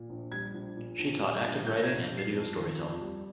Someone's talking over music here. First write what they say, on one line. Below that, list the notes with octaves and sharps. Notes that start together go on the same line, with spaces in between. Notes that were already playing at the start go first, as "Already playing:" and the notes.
She taught active writing and video storytelling.
Already playing: A#2
A#1
G3 G#6
A#1
A#2
A#1
G3
A#1
A#2 G6
A#6
G#6
A#1
G3
C7
F2
D#3
F2
G3